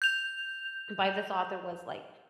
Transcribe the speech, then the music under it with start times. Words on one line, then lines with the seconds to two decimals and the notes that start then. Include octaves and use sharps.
by this author was, like,
0.02 G6 F7